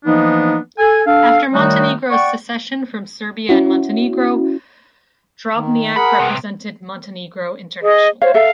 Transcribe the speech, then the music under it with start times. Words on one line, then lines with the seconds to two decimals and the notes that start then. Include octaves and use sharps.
After Montenegro's secession from Serbia and Montenegro, Drobnjak represented Montenegro internationally.
0.05 E3 F3 A#3 B3 D4 D#4
0.78 A4 G#5
1.06 D4 A4 F5
1.53 D#3 G3 A3 D#4 F#4 C#5
2.11 D5 F#5 G5 C#6
3.49 C#4 E4 F#4
5.55 D#3
5.96 G#4 A#4 F#5 B5
6.20 C3 B3
7.82 G#4 D#5
8.22 C5 C#5 F5
8.34 A4 E5 F5